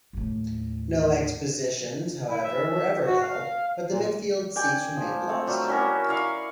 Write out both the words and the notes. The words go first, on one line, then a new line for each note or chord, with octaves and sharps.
No expositions, however, were ever held, but the midfield seats remained lost.
D#2 A2
E4
E5
F#4
F5
A#2
D5 G5 G#5 D6
F3
A3 C4
F#3 G3 A4
F#3 C#4 E4 A#4
E4 D5 F5 C#6